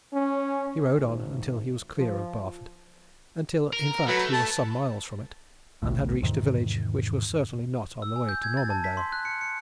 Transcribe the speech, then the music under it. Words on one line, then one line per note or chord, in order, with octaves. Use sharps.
He rode on until he was clear of Barford: until, in fact, he was some miles from it, and had reached a village which was certainly not on the way to Normandale.
C#4
G#1
F3
A#4
F#3 A3 B4
A5
A1 D2 A2
E2 G#2 C3 D#3
E6
G#5
G6
G#6
A6
A5
B6
C6
F#6
C#7
C#7